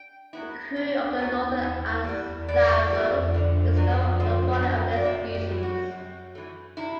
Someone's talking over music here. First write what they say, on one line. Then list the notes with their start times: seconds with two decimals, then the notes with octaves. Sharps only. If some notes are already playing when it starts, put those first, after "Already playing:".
The crew of the "Northern" and Lieserl discover the folly of their species.
Already playing: G5
0.33 F#3 B3 E4
0.76 C3
1.19 F#3 B3 E4
1.62 E3
2.04 G3 B3
2.48 E3 D5
2.90 G3 B3
3.34 D3
3.77 F#3 B3 D4
4.20 D3 C5
4.62 F#3 B3 D4
4.96 D5
5.05 C3 E5
5.35 G4
5.48 E3 A3
5.63 F#4
5.92 C3
6.35 E3 A3
6.77 C3 E4